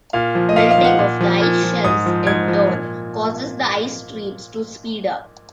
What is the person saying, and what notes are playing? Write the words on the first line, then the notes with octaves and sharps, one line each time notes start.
Melting of the ice shelves in turn causes the ice streams to speed up.
A#2 F5
F3
D#5
A#2 F5
F5
F3
F#5
A#2
F3
A#2
F3
G#2 D#6
F3
G#2 G#6
F3
A#2